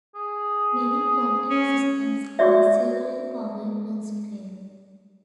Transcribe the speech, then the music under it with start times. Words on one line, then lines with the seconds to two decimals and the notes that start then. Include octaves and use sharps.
Many Contiki systems are severely power-constrained.
0.15 G#4
1.50 C#4
2.39 F#4 C#5 D5 E5